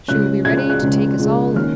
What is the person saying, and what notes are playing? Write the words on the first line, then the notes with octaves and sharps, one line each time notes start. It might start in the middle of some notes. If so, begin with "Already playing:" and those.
She will be ready to take us all in.
C#2 C#3 G#3 C#4 F#6
C#2 C#3 G#3 C#4 G#6
F#6
F#6
C#2 C#3 G#3 C#4
C#2 C#3 G#3 C#4
D#3 A#3 C#4 F6